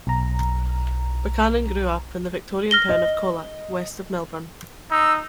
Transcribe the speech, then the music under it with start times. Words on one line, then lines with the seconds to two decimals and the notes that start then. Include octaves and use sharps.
Buchanan grew up in the Victorian town of Colac, west of Melbourne.
0.07 B1 A#5
2.71 F6 A#6 G7
2.89 D#5
4.91 D#4 E6